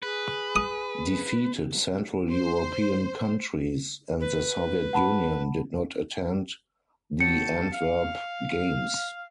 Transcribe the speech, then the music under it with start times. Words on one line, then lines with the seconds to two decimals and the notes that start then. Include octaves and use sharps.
Defeated central European countries and the Soviet Union did not attend the Antwerp games.
0.03 G#4 B4
0.56 D#6
2.30 C5
4.20 B4
4.93 F#5 A5 B5
7.20 F#3 G5 A5 C#7
7.72 F5